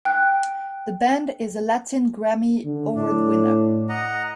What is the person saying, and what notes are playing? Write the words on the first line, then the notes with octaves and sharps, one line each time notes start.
The band is a Latin Grammy Award winner.
G5 F#6
D3
A2 D4
D#5 F#5 A#5